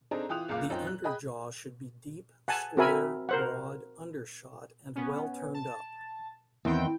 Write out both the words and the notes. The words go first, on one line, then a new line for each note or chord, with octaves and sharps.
The under-jaw should be deep, square, broad, undershot, and well turned up.
C4 D4 D#4 G#4 A4 A#5
E3 F4 G5 D#6 F#6 F7
F#1 C#2 A#2 A#3 F5 D6
F#2 C4 D#4 F4 G5
F#6
G#4 D#5 G5 B5 D#6
F#5 G#5 A5
C4 F#4 A#4 E5 G#5 B5
A#4 C5 F#5
B3 C#4
A5
E2 D#3 C4 G5